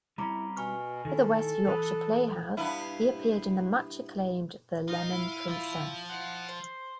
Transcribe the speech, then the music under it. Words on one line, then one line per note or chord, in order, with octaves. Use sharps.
For the West Yorkshire Playhouse he appeared in the much acclaimed "The Lemon Princess".
G3 C4 C#4 E4 A#5 B5 D6
B2 G#5 C#6 F6
D#3 E4 A4
E3 B5 D#6 F#6
G2 B3 E4
D#4 F4
E4
F3 F4
E4 C5 F#5
C5